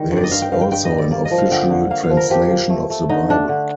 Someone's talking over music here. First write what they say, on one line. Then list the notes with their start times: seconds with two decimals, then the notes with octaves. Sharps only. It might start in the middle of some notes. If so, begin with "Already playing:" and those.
There is also an official translation of the Bible.
Already playing: D#3 G3
0.12 G2
0.17 D5
0.24 D#5
0.31 G2 F5
0.42 G5
0.52 G2 F5
0.61 G5
0.72 G2 G5
0.85 D#5
0.92 G3
0.98 D5
1.11 A#3 D5
1.25 D#5
1.31 F3
1.38 F5
1.51 D3 G5
1.70 D3
1.90 A#3 F5
2.03 F5
2.10 F3
2.17 A#4
2.30 F3 G4
2.50 A#3
2.70 A3
2.90 A3
3.09 D3 D#4
3.29 A3 D4
3.49 D3